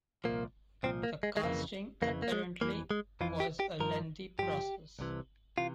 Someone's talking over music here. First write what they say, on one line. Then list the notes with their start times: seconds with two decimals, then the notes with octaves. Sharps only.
The casting apparently was a lengthy process.
0.24 C2 A#2 F3 A#3
0.83 C2 A#2 F3 C4
1.03 A#3
1.23 G#3
1.37 G#3
1.43 F2 C#3 E3 A#3
2.02 F2 C#3 E3 A#3
2.22 A#3
2.32 G#3
2.61 F2 E3 A#3
2.91 G#3
3.21 F2 E3 F4
3.40 G4
3.60 G4
3.80 G2 F3 A#4
4.39 G2 F3 G4
4.99 C2 C3 E3
5.58 C3 E3 F4